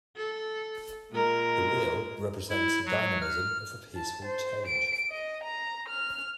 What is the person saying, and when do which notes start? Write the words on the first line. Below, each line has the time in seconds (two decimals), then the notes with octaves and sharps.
The wheel represents the dynamism of a peaceful change.
0.16 A4
1.11 A#2 G#3 A#4
2.50 E4
2.85 F#3
3.21 F6
3.95 A5
4.25 C5
4.67 D7
5.10 D#5
5.44 A#5
5.89 F6